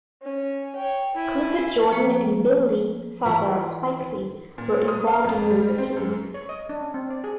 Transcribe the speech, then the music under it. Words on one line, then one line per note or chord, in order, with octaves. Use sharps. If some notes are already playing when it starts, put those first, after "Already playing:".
Clifford Jordan and Bill Lee, father of Spike Lee, were involved in numerous releases.
C#4
C#5 G5
E4 G#5
F3 A#3 B4
E3 F4 E5 F#5
A#2
D#6
F5
F2
G3
C4
F#2
C#5
D#5
D4
C#4
C4
D5
G#4